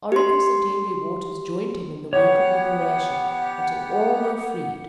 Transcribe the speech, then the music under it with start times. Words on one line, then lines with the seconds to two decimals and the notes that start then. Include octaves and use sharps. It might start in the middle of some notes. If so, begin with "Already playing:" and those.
Oracus and Henry Waters joined him in the work of liberation, until all were freed.
0.12 G4 C6
2.13 B3 G4 C#5 F#5